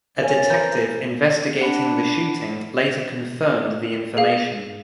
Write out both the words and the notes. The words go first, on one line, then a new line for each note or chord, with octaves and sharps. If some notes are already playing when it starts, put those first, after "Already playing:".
A detective investigating the shooting later confirmed the information.
A#4 C#5 F5 G#5
A6
B4 C5 A#5 G6
D4 F#5 B5
G#4 F5